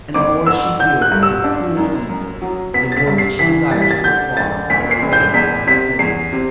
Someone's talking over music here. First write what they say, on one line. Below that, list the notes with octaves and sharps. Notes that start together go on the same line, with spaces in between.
And the more she feared her cruel uncle, the more did she desire to go far, far away from his presence.
G1 D6
D3 E6
D3 G6
F#6
G2
E6
D4
F#2
F#2
F#3
B3 B6
A6
B6
G2
C7
E3 B6
G3 A6
B6
A6
D3 G6
E1 A6
D2 B6
C7
E1
G6
E2 B6
C3 B6
E2 C7
C3